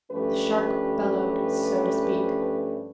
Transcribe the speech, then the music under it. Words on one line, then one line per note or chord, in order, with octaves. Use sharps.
The shark bellowed, so to speak.
G2 F3 A3 C#4 G4 B4